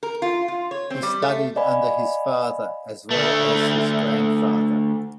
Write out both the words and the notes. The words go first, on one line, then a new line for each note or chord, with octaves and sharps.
He studied under his father as well as his grandfather.
A#4
F4
F4
C#5
C4
G3
A3
D5 D#5 F5 G#5 B5
D2 A3